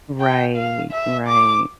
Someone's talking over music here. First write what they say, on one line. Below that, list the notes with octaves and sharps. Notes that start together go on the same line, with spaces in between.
Right, right.
G5
F5
E5
D6